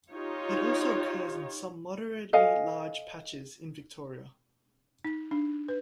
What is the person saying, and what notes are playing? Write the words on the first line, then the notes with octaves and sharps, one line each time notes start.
It also occurs in some moderately large patches in Victoria.
D#4 F4 G4 C#5
A4 D#5 F5 G#5
D#4
D4
B4